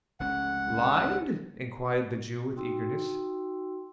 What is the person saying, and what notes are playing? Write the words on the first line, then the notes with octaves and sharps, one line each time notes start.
'Lined?' inquired the Jew, with eagerness.
F1 C#2 C#4 F#5
D#4 F#4 G5 C6 E6